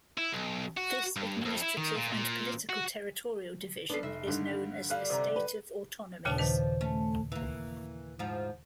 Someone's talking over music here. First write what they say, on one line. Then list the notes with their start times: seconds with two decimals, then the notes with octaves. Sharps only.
This administrative and political territorial division is known as the "State of Autonomies".
0.18 E4
0.33 B1
0.77 F#4
1.16 G2
1.45 F2
1.61 E4
1.77 D#3
1.97 A#2
2.12 A#2
2.69 F#4
3.89 B3 C#4 D4 A4 C7
4.03 F1 E5
4.27 G2 D3 D#3
4.90 G2 D3 G3 F5 F#6
5.10 C3 A#5
5.36 B4
6.25 D#2 A#2 C#3 F3 D4
6.38 A#2 D#3 B4
6.81 A3 C#4
7.32 E3 A#3
8.19 G#2 F3